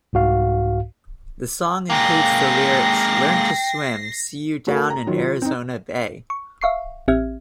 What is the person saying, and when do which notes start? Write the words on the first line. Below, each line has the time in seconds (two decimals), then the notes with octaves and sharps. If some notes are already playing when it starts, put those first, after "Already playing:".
The song includes the lyrics Learn to swim, see you down in Arizona Bay.
0.13 C2 G#2 F#4 F5
1.90 G#3 A#3 G5 A#6 C7
4.67 A3 F#4 A4 A#4
4.90 A#5
5.07 D#3 F#3 F4
5.19 F4
5.42 C4 D#4
6.30 C#6
6.61 E5 F5 C#6 C7
7.08 A1 C4 G4 E5 F6 G#6